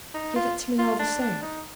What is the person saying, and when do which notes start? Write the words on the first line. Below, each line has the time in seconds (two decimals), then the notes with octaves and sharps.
"Give it to me all the same."
0.14 D#4
0.36 F4
0.79 F4
0.99 D4
1.21 D4
1.42 D#4